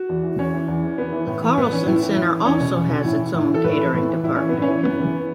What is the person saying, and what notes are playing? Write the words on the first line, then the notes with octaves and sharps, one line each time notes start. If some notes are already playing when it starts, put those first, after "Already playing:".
The Carlson Center also has its own catering department.
Already playing: F#4
E2
E3
E2 C#4
E3
E2
E3
E2 B3
E3
A2
E3
A2 B3
E3 C#4
A2 E4
E3
A2
E3
E2 C#4
B2
E2
B2
A2 E4
E3
A2
E3 A4
A2 B4
E3
A2
E3
A2 E4
E3 C#4
A2 B3
C#4
E3
F#2 B3
C#3 E3